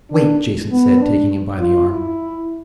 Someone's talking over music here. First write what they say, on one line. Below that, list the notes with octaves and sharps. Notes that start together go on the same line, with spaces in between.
"Wait," Jason said, taking him by the arm.
D4
B3
D4
F4
E4